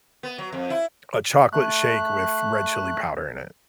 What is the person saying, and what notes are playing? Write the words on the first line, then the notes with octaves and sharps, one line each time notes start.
a chocolate shake with red chili powder in it,
B3
F#3
F2
E4
A3 F#6